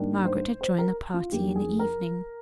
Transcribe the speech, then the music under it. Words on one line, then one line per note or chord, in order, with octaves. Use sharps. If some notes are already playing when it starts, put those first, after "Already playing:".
Margaret had joined the party in the evening.
Already playing: G#2 D#3 G3 A#3 D4
C5
C5
A#4
F4
F2 D#3 A#3 D4 G4
G#4
A#4